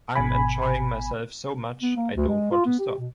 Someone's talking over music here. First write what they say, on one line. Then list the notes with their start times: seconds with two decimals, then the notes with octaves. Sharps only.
I'm enjoying myself so much I don't want to stop.
0.15 G#1 B2 G#5 B5
1.82 B3
1.96 A#3
2.16 D2
2.29 G#3
2.51 F4
2.65 B3
2.79 G4
2.98 B2